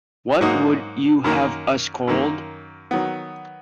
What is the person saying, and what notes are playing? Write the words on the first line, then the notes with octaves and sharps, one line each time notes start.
What would you have us called?
G#2 F#3 A#3 D#4 F#4
F#2 D#3 A#3
F#2 D#3 A#3
D#3 F#3 B3